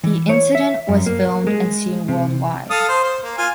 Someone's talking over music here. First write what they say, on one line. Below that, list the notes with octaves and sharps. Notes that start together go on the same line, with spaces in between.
The incident was filmed and seen worldwide.
E3
C#5
E5
F#2
A#3
G#3
C3
A4 F5 D#6
C5
C5
A#3
F4 G#5